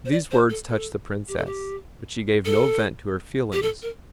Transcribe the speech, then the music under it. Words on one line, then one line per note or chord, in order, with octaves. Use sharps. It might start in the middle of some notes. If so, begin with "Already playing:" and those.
These words touched the Princess, but she gave no vent to her feelings.
C5
D5
C5
A4
A4
G4
A4
G4
A4
G4
A4
A#4